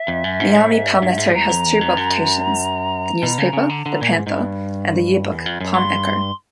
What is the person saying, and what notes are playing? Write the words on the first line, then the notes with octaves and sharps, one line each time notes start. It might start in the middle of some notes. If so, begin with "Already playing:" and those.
Miami Palmetto has two publications: the newspaper, "The Panther", and the yearbook, "Palm Echo".
Already playing: E5
F2
F#2
G#2
A2
G#2
G2
G2
G#2
E2 A#5
F2
E2
F2
F#2
B2
C#3
C#3
D3
D3
A#2
G#2
G#2
G2
E2
F2
F#2
G2 C6